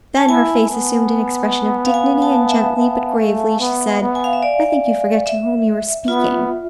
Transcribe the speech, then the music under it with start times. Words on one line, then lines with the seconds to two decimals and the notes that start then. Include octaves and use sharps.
Then her face assumed an expression of dignity, and gently, but gravely, she said, 'I think you forget to whom you are speaking.'
0.17 A5
0.28 E4 G#5
0.70 B3
1.86 F5
1.94 G#5
2.22 A5
2.49 E5
2.77 B3
3.19 A3
3.60 B3
4.01 B3
4.15 G#5
4.24 F5
4.33 E5
4.43 D5
5.26 E5
6.08 B3 F4